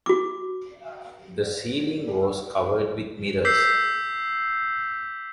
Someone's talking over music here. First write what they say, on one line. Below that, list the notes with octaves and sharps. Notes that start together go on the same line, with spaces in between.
The ceiling was covered with mirrors.
F#4 D6
D6 E6 G6 B6 C7